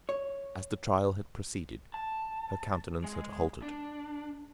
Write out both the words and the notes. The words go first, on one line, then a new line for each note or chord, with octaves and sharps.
As the trial had proceeded, her countenance had altered.
C#5
A5
G#3
D4